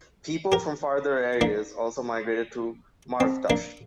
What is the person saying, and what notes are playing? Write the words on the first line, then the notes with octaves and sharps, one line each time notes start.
People from farther areas also migrated to Marvdasht.
G4 A#4
A#3 D4
C4
A#3 D4